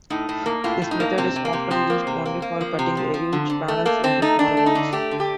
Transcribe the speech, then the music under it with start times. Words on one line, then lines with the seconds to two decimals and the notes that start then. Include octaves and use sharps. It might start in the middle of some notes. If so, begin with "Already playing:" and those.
This method is often used only for cutting huge panels into smaller ones.
0.10 A2 D#4
0.29 A2
0.46 A#3
0.64 A2 F4
0.82 A2
0.91 D#4
1.00 A#3
1.18 C3 C4
1.36 C3
1.45 A#3
1.53 C3
1.71 F3 C4
1.90 A#3
2.07 C3
2.25 A#3
2.42 A#3
2.61 F3
2.79 C3
2.97 F3
3.14 F3
3.33 D3
3.50 D3
3.68 A3
3.85 A3 A#3
4.03 D3 C4
4.22 A3 D#4
4.39 A3 D4
4.57 A3
4.66 D#4
4.75 D3
4.93 A3 G4
5.11 D3
5.20 G4